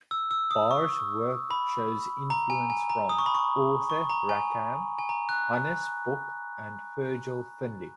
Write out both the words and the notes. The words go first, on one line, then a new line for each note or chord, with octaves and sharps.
Barr's work shows influences from Arthur Rackham, Hannes Bok and Virgil Finlay.
E6
E6
D#6
C#6
B5
A#5
G#5
G#5
A#5
D#6
C#6
B5
C#6
C#6
A#5
G#5
G#5
A#5
F#6